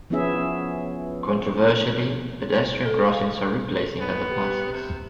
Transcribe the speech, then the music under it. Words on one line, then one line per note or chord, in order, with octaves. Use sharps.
Controversially, pedestrian crossings are replacing underpasses.
F3 B3 C#4 E4 G#4 E5
A4
F5
D#2 B3
G4
C3